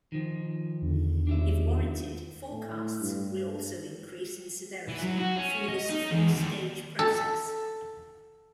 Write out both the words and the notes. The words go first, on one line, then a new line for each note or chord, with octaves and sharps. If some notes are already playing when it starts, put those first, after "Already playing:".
If warranted, forecasts will also increase in severity through this three-stage process.
D#3 F3
E2 D3
D#2 D4 F4 E5
A2
G2
E3
F#3
F#4
C#4
D#5
D#4
E2
D#2
A4